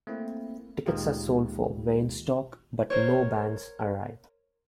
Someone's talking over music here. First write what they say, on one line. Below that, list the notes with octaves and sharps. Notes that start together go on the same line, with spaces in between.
Tickets are sold for Waynestock but no bands arrive.
A3 A#3 C4 E4
D2 A#2 D#3 G#3 F4 G4
A#4 C5 C#5